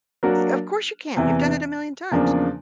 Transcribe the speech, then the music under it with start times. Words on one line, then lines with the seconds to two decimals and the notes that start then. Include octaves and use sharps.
"E 'Of course, you can. You've done it a million times.
0.23 F#3 A#3 D4 F#4 A#4
1.17 E2 C3 E3
2.12 E2 C#3 F3 A#3 D4